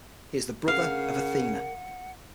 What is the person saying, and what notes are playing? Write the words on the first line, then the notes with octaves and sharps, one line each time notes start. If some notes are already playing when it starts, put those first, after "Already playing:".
He is the brother of Athena.
C#3 A#4 F5 F#5